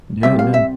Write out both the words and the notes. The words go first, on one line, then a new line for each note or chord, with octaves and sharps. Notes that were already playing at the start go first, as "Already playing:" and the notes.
Yeah. Yeah.
C2 C3 G3 E5
F5
E5